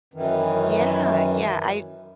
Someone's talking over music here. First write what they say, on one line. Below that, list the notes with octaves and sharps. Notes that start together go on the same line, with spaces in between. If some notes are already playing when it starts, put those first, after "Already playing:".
Yeah, yeah, I
F#2 D#3 E3